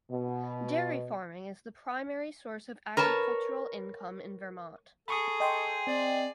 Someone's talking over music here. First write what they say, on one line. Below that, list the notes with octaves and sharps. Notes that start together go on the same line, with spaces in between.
Dairy farming is the primary source of agricultural income in Vermont.
B2
A#4 B4 C#5 A5
G#4 A4 B5 C#6 D#6
D#5 G5 C6
C4 D5